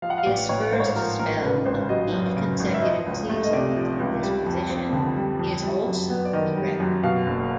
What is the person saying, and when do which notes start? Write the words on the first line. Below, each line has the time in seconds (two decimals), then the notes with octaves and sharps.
His first spell of eight consecutive seasons in this position is also a record.
0.02 F3 F5
0.10 F#5
0.18 F5
0.26 A1 D5
0.49 A1 C#5
0.72 G#2 C5
0.80 C#5
0.88 C5
0.96 F3 A#4
1.19 A1 A#4
1.42 C#3 B4
1.66 G#1 C5
1.89 F#3 D#5
2.13 F#2
2.36 C#3
2.60 G#1
2.74 E5
2.82 F3 D#5
3.06 C#2
3.29 A3
3.44 D#5
3.53 C3 D5
3.76 F3
3.99 C#2
4.23 G3
4.46 F2
4.70 C4
4.93 D3
5.16 G3
5.39 F2
5.63 G3
5.86 F#2
6.10 B3
6.25 D5
6.33 D#3 D#5
6.57 G3
6.80 F#2
7.03 B2 F5
7.27 F#1